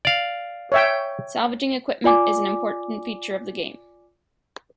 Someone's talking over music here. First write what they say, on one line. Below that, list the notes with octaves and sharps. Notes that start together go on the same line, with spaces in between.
Salvaging equipment is an important feature of the game.
D5 F5
C#5 E5 G5
F4 D5 G#5 D6